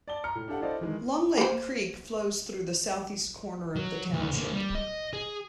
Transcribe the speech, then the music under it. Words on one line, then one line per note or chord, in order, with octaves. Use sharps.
Long Lake Creek flows through the southeast corner of the township.
D5 A5 G7
A#5 F6 C#7
A2
D4 G4 A4 F5 F#5
E4 A4 C5 D5 D#5 F5
D#3 E3 G#3
A#3 C5
F#3
D2
D3 A#3
G3
D#5
G#4